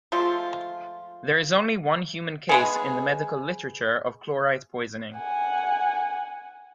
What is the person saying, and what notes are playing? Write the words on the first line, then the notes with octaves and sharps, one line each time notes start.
There is only one human case in the medical literature of chlorite poisoning.
F3 G#3 A3 F4
G#3 B3 G#4
F#5 G#5